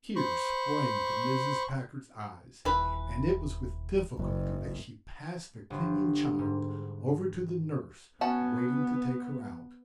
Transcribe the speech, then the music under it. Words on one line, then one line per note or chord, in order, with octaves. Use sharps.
Tears sprang to Mrs. Packard's eyes, and it was with difficulty that she passed the clinging child over to the nurse waiting to take her out.
C5 B5 C#6
D#1 E3 B4
F#1 F#2
G1
G#2
B3 C#4 F#4 A5